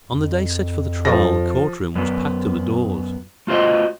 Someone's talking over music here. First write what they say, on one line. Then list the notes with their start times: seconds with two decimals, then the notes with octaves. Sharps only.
On the day set for the trial the court room was packed to the doors.
0.07 F2
1.05 F3 A4 A#6
1.95 F#2 B3
3.47 A3 F4 F#4 C5 D#5